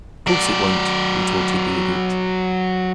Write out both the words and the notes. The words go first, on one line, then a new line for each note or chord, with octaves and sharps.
"Of course it won't," retorted the Idiot.
F#3 D5